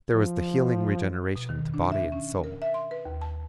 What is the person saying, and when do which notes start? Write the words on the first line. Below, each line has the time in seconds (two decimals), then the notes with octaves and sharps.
There was the healing regeneration to body and soul.
0.14 F3
1.36 B2
1.49 D#3
1.74 D4
1.92 E5
2.12 C#4
2.30 C#4
2.44 A#4
2.62 E5
2.74 C6
2.91 B4
3.05 D#2
3.21 A5